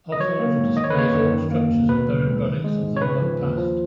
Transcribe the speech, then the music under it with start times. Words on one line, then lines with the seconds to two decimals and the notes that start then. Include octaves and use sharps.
Archaeology displays old structures and buried relics of the remote past.
0.12 D#5
0.20 F#3 C#5
0.39 A#3
0.58 G#2
0.76 D#3 D#5
0.84 C#5
0.90 B4
0.95 A#3 C#5
1.13 F#2
1.32 D#3
1.51 A#3
1.71 D#2
1.89 B2 B4
2.08 F#3
2.27 C#2
2.45 D#3
2.64 G#3
2.83 G#2
2.96 C#5
3.01 C#3 B4
3.20 F3
3.39 D#2
3.57 F3